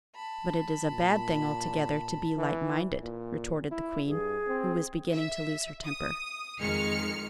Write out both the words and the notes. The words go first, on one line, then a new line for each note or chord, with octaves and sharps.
"But it is a bad thing altogether to be light-minded," retorted the queen, who was beginning to lose her temper.
A5 B5
A#2
E3
A#2
E4
G2 G#4
C4
E5
D#6
F2 D#3 G#3 F6 C#7